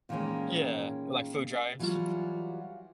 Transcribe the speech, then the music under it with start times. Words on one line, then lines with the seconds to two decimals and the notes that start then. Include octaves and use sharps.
Yeah, like food drives.
0.09 A#2 D#3 E3 G#3 A#3 C#4
1.79 E3 F#3 G3 D#4 F4 F#4